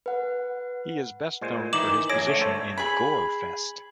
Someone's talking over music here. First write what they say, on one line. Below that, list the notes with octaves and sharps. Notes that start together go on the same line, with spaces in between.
He is best known for his position in Gorefest.
B4 F#5
A#2 G#3 C5
D#3 E3 D#4 D6 E7 F#7
A#1 G#4 C#5 A#6 D7
D3 A3
A4 C5 C#5
G#4 B5